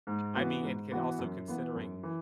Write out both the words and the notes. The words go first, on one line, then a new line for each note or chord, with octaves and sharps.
I mean and can also considering
G#2
E3 B3 F#4
G#2
E3 B3 F#4
F#2
E3 B3
F#2
E3